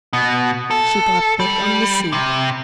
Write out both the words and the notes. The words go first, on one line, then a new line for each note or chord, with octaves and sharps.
She dropped back on the seat.
B2
A4
G3
C3